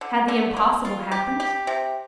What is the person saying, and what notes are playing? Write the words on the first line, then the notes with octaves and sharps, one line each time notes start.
Had the impossible happened?
D3
D3
A#3
F4
G4
G4
C3